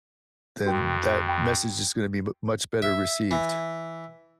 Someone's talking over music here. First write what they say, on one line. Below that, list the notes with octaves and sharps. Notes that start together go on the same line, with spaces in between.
then that message is gonna be m much better received.
F2 F#4 A#4 G5
G5 B5
E5
E3